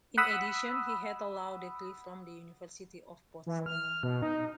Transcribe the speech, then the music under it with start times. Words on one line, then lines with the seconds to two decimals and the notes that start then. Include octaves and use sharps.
In addition, he had a law degree from the University of Poznan.
0.18 F#5 B5 D#6 E6
3.46 E3
3.66 F6
4.03 B2
4.22 D#4